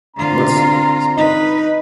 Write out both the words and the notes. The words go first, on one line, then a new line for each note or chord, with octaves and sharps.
What's s
D3 C4 F4 A#5
D#4 B4